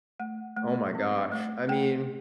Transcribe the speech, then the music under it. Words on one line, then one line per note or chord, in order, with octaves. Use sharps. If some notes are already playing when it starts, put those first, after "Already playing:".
Oh my gosh, I mean,
A3 F#5
A3
C4
A3
A3 G5